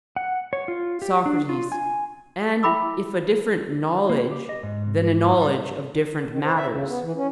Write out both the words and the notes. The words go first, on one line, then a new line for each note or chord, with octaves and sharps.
SOCRATES: And if a different knowledge, then a knowledge of different matters?
F#5
C#5
F4
G4
D4
F4
G#5
E4 E5 G5 B5 D6 E6
A#3
G4
D#5
G#2
G3
D#3
C5
E5
C#3
B3
E3
C#4